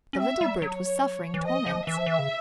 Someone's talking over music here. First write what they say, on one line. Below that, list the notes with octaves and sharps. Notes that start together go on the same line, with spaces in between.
The little brute was suffering torments.
C#4
C4 E5
G3
F#3 C#5
E3
F3 D#5
F3
E3 E5
F3
E3
C#3